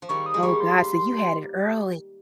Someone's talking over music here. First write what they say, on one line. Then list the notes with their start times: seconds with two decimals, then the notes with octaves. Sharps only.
Oh, god. So you had it early.
0.02 F3
0.09 D#3 G3 C#6
0.26 D#6
0.34 G#3
0.43 G3 A#3 C#6
0.60 C6